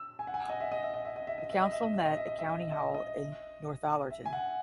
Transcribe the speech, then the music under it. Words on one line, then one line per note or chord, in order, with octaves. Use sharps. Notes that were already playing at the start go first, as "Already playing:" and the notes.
The council met at County Hall in Northallerton.
Already playing: E6
G#5
F#5
G#5
D#5
E5
D#5
E5
D#5
E5
D#5
E5
D#5
E5
D#5
E5
D#5
E5
D#5
E5
D#5
E5
D#5
E5
D#5
E5
D#5
E5
G#5
F#5